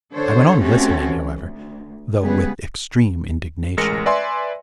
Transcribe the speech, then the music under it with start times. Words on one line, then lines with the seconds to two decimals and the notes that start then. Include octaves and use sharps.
I went on listening, however, though with extreme indignation.
0.13 D3 D4 A4 C5 C#5
0.60 A3 C4 C#4 F#4 G4 A4
1.03 E3
1.41 D2
2.21 C#3 G3 G#3 B3 G#4 B4
3.77 A1 G#3 A#4 A#6 C#7
4.06 B4 D5 E5 G#5 C6